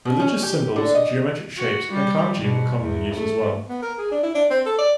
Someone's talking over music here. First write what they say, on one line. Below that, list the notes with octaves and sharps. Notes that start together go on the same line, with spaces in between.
Religious symbols, geometric shapes and kanji were commonly used as well.
B2
C#4
G4
D3
D#5
F#4
G3
B2
E2
A3
B3
A#4
G#4
D4
E4
D4
C4
A4
D5